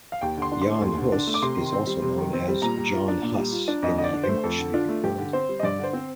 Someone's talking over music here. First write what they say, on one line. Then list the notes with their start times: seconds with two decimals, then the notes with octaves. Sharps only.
Jan Hus is also known as "John Huss" in the English speaking world.
0.12 F5
0.21 D#2 G5
0.37 D3 C6
0.52 D4
0.62 C6
0.67 A3
0.82 D#2
0.97 D3
1.12 D4
1.27 A3
1.34 D6
1.42 C3 C6
1.57 D#3
1.72 C4
1.87 G3
2.02 C3
2.18 D#3
2.33 C4
2.48 G3
2.62 A#2 A#5
2.77 G3
2.93 F4
3.08 D4
3.22 A#2
3.38 G3
3.52 F4
3.68 D4
3.83 F2 D#5
3.98 D3 D#5
4.04 D5
4.13 D4
4.23 C5
4.29 A3
4.44 F2 A4
4.59 D3
4.74 D4 F4
4.89 A3
5.04 G2 G4
5.18 D3
5.33 C4 C5
5.49 G3
5.59 D#5
5.63 G2 D5
5.79 D3
5.84 C5
5.93 C4